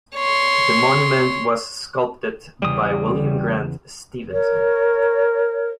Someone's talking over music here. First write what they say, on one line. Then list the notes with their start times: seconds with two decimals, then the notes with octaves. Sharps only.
The monument was sculpted by William Grant Stevenson.
0.16 C#5 C6
2.62 E2 C#3 G3 D#6
4.32 A#4 C#5